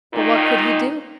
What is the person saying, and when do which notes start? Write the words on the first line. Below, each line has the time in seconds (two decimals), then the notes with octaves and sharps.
But what could he do?
0.14 A#2 D#3 D#4